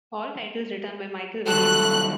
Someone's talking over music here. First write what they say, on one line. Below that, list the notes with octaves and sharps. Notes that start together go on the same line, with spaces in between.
All titles written by Michael Williams.
D#3 F#3 G3 A4 F#6